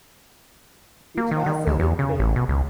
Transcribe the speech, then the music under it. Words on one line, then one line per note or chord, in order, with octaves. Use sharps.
It has a red tail.
A#3
D#3
D#3
D2
E2
C#3
A1
B2
C#2